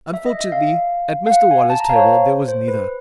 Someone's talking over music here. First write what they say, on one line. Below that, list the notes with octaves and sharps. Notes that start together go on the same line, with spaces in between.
Unfortunately, at Mr Waller's table there was neither.
E5
D#5
E5
F5
F5
F#5
G#5
A5
A#5
F5
C#5
C5
C5
B4